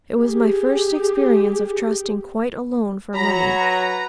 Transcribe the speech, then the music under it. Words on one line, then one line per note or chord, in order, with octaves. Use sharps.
It was my first experience of trusting quite alone for money.
G4 G#4
F#3 A#5 B5
B4